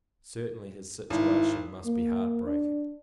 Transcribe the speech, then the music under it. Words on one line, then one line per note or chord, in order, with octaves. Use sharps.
Certainly, his situation must be heart-breaking!
G#1 E4
A#3
D4